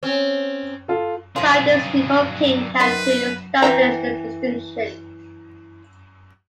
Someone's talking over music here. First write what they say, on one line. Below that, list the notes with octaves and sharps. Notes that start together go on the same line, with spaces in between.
Scientist Nicole King helped to establish the distinction.
C4 C#4
F4 A4
G2 C3 F#3 F4 G#4 C#5
F#3
C3 D#3 B4 C6
E3 F#4 G5 A#5